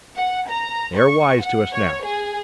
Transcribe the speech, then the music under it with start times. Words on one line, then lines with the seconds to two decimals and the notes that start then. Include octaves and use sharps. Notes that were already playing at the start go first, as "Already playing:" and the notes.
They are wise to us now.
0.17 F#5
0.47 A#5
0.96 C#6
1.42 F#5
1.74 C#5
2.06 G#4